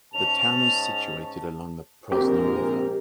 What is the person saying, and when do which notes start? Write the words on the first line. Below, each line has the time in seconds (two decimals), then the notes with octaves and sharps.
The town is situated along the Prosna river.
0.14 G#2 C#4 A5 F7
2.12 A#1 G#2 C4 G4 A#4